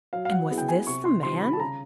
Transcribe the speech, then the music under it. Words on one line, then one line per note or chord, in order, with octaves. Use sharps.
And was this the man?
F#3 F5
F5
F#5
B3 E4 G#4
G5
G#5
C3 C#6
C6
D#3 G3 C4 F4 C6
B5
A5
C#3 A#5